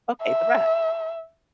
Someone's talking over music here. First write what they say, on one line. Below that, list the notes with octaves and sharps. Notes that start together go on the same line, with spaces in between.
"Okay, the rat,
E5